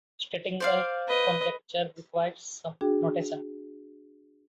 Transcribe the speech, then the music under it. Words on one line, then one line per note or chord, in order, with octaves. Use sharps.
Stating the conjecture requires some notation.
C5 D5 F5
B4 D#5
D4 F#4 G#4 G5